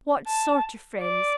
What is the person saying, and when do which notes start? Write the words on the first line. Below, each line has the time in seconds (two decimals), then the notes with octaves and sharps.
What sort of friends?
0.27 A5
1.00 D5